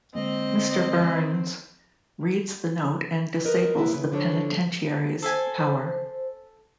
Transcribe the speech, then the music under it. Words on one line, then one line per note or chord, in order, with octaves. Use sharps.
Mr. Burns reads the note and disables the penitentiary's power.
D3 G#3 A#3 C4 D#5
A#4 B4 D#5
C3 A#3 E4 A#4 B4 E5
C#3 B4
D3 F3 D4 A4 C#5
A4 C5 E5 G#5